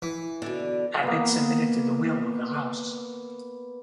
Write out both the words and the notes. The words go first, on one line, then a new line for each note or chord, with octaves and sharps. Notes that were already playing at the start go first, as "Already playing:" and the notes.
Abbot submitted to the will of the House.
E3
B2 D3
A#3 B3